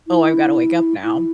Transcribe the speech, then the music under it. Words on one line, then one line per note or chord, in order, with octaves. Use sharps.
Oh, I've gotta wake up now.
E4
E4